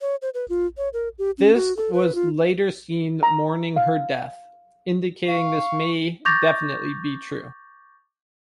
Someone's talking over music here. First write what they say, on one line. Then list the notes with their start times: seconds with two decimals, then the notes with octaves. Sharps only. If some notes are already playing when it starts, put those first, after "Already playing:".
Fisk was later seen mourning her death, indicating this may definitely be true.
0.01 C#5
0.22 C5
0.34 B4
0.50 F4
0.77 C#5
0.93 A#4
1.18 G4
1.38 C#4
1.54 F#4
1.77 A4
1.93 B4
2.15 F4
3.23 A#5
3.76 F5
5.28 F5 C#6
6.25 C#6 D6 G6 A6 A#6 F7